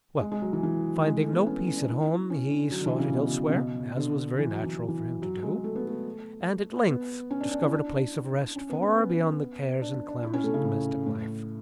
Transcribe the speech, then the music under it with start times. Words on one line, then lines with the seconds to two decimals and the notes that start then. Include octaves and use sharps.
Well, finding no peace at home, he sought it elsewhere, as was very natural for him to do; and at length discovered a place of rest, far beyond the cares and clamors of domestic life.
0.21 G#3
0.32 G#3
0.42 F#3
0.53 E3
0.63 E3
1.06 G#3
1.19 A3
1.33 B3
1.46 C#4
1.67 C#4
1.77 D4
1.88 E4
2.30 C#4
2.51 D3
2.72 F#3
2.81 D3
2.86 E3
3.00 C#3
3.13 B2
3.50 C#3
3.55 B2
3.97 D3
4.39 E3
4.52 F#3
4.64 E3
4.77 F#3
4.88 E3
5.22 F#3
5.43 G#3
5.64 A3
5.76 B3
5.87 A3
6.89 B3
7.31 C#4
7.41 D4
7.52 D4
7.62 E4
7.73 D4
8.56 C#4
8.70 B3
8.82 C#4
8.98 B3
9.82 D4
10.08 D4
10.23 E4
10.33 C#4
10.44 A3
10.54 C#3
10.65 A2
11.06 A2